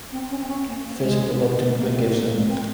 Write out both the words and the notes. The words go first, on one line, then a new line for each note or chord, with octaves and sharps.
Fiske reluctantly gives in.
C4
C#4
C4
C#4
A#3
A#3
G#3
A#3
C4
A#3
A#3
C4